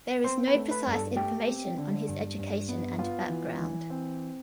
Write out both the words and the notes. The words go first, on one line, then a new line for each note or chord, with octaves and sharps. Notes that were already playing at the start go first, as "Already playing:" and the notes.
There is no precise information on his education and background.
C4 C5 C6
B4 B5
A3
B4 B5
G2
A4 A5
A3 G4 G5
C4
D3
G2
G2
B3
B3 F4 F5
E3
E3
C4